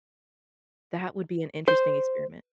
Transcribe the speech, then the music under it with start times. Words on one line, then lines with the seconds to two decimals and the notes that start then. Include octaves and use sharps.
That would be an interesting experiment.
1.68 C5